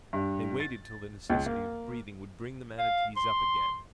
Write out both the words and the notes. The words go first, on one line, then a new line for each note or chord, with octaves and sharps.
They waited till the necessity of breathing would bring the manatees up again.
G2
A6
C#2
A#3
F5
C6